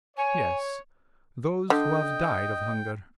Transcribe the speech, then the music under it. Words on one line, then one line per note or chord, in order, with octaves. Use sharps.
"Yes; those who have died of hunger."
C#5 G#5
D3 D#5 G5